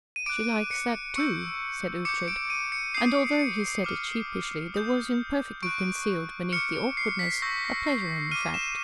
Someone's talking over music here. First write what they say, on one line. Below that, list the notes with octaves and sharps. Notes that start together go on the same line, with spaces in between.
"She likes that, too," said Ughtred, and, although he said it sheepishly, there was imperfectly concealed beneath the awkwardness a pleasure in the fact.
D#7
D6 F#6 D7
C#7
C#6 E6 G6 C#7
D6 G6 C#7
D7
D#7
C#7
D#6 G6 C7
C#7
D6 F6
D#6 G6
C#6 F#6 D7
D6 F6 C#7
C7
B6
C#6 E6 G6 A#6
B6
C7
D6 F6 D#7
E7